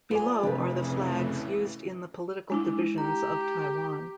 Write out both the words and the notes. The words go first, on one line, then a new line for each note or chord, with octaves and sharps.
Below are the flags used in the political divisions of Taiwan.
F4 B4 D5 G#5
F1 A2 C#3 E3 C4 D4 G4 B4
G#3 D4 E4
G4 A#5